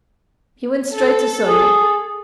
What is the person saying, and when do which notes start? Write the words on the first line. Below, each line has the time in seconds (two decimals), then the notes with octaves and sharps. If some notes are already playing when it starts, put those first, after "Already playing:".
He went straight to Sonia.
0.94 A4
1.47 G#4